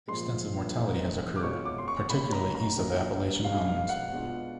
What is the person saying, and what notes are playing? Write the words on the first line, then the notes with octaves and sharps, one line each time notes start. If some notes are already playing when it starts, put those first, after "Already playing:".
Extensive mortality has occurred, particularly east of the Appalachian Mountains.
A#2 F3 G#3 C6
E3 A3 C4 D#4
D6
B2 G#3 C#4 F4 C#6
D6
C6
C#6
D#3 G3 A#3 C#4 B5
A#5
A#5
D#3 F#3 A#3 D4 F4
B2 G#3 B3 F5
F5
F#5
B2 G#3 B3 D4 F4